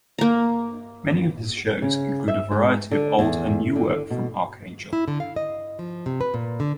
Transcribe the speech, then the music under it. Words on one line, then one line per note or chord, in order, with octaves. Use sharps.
Many of his shows include a variety of old and new work from Arcangel.
A#3 A#5
C#3
E5
G#2
D3
E2
D3
B2
E4
D3
F5
D#5
F3
C3
B4
A#2
D3